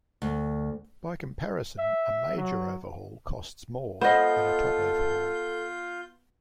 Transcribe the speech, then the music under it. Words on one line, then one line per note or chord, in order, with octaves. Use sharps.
By comparison, a major overhaul costs more than a top overhaul.
D2
E5
F#3
B3 F4 A4 C5 D#5 G6